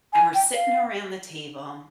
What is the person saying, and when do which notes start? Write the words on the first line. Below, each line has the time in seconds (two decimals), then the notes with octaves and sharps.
and we're sitting around the table,
0.13 G#5
0.34 G5
0.54 F5